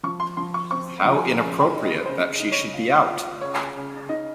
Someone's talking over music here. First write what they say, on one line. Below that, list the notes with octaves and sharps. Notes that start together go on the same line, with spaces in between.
How inappropriate that she should be out!
F3 C#6
C6
F3 C6
C#6
C4 C#6
F3 A#5
G#5
A#5
C#3 G#5
G5
D#4
D#5
C#3 C5
D#4
C#5
F4
F4
C#3 C#5
C#3
D#4 D#5